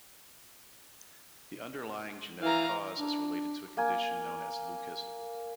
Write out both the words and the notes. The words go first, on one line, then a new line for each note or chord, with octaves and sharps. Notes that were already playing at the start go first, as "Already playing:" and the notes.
The underlying genetic cause is related to a condition known as leucism.
E3 F5 A#5
D4
A#3 G#5 D6